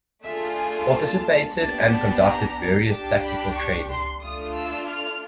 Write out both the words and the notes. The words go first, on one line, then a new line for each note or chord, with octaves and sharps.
Participated and conducted various tactical training.
A3 D4 F4 G#4 E5
G#5
A5
B3 D4 G4 A5
A5
A#5
D4 G4 A5
B5
C#6
C6
A3 D4 F4 D#6
E6
F6